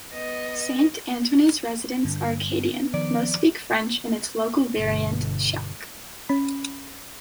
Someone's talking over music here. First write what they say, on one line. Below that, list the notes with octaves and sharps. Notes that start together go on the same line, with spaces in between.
Saint-Antoine's residents are Acadian; most speak French in its local variant, Chiac.
B3 D#5
G2 D3
B3
D#3 F3 D5
G1 B2
C#4 B5